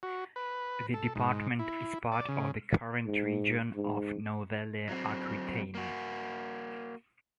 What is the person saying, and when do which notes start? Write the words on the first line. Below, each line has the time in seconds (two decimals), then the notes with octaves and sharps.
The department is part of the current region of Nouvelle-Aquitaine.
0.03 F#4
0.36 B4
0.94 A4
1.15 G#2
1.59 E4
2.12 D5
2.29 C#3
3.06 G#2
3.75 G#2
4.89 F#3 C4
5.75 A#3 F#4